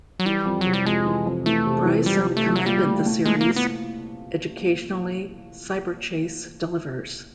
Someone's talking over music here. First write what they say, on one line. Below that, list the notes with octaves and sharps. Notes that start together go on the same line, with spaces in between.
Bryson commended the series: "Educationally, "Cyberchase" delivers".
F#3
E3 G3
F2
C3 F#3
G3
F2 G#3
E3
F2
E3 A3
C3
E3
C3 G3
E3
A3
E3
F#3
A#2 G3
A3
A3
G#3 A3
A#3
A3
B3